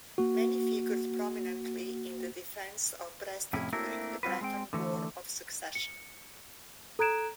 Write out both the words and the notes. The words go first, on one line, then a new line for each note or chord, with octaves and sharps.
Manny figured prominently in the defense of Brest during the Breton War of Succession.
A#3 F#4
F2 A2 C3 C#4 E4
A3 A#3 C4 D4 E4 A#4
G3 C4 F4 F#4 B4
G#3 C4 G5
D3 E3 A3
C#7
A4 A#5 F#6 G#6 D7 E7